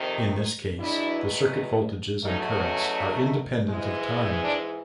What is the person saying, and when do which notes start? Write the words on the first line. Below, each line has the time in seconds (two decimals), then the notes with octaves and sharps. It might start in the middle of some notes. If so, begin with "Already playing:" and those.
In this case, the circuit voltages and currents are independent of time.
Already playing: F2 C3 D#3
0.78 E2 B2 F#3 B3 D4 E4
2.23 E2 B2 F#3 A3 C#4 D#4
2.60 C#4
3.69 G#2 E3 G#3
4.42 D4